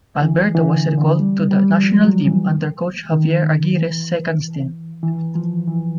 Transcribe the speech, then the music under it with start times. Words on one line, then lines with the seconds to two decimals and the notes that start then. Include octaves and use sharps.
Alberto was recalled to the national team under coach Javier Aguirre's second stint.
0.22 E3
0.55 E3
0.76 D3
0.97 D3
1.19 G3
1.51 G3
1.83 F3
2.04 F#3
2.25 E3
3.11 D#3
3.75 E3
5.03 E3
5.35 F3
5.68 E3